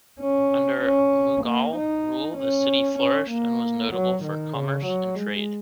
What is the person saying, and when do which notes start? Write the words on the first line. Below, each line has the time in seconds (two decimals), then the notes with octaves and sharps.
Under Mughal rule, the city flourished and was notable for commerce and trade.
0.20 C#4
0.82 C#4
1.44 A#3
1.76 D#4
2.37 C#4
2.99 C#4
3.30 A#3
3.92 F#3
4.23 D#3
4.54 C#3
4.85 F#3
5.15 G#3